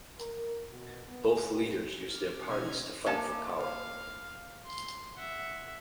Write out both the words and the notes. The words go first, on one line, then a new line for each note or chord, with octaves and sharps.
Both leaders used their parties to fight for power.
A#4
B2
B3
G4
D6 F6
B2 C#4 D#5 E5 F6 G#6
A#3 G#5 A5
F5
C6
E5 F#5